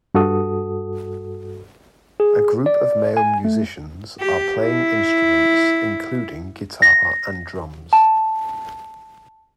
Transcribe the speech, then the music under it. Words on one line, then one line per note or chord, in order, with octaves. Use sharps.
A group of male musicians are playing instruments including guitar and drums.
G2 F#4 A4 D#6
G#4
D5
G#5
A3
G4
E4
A#6
A5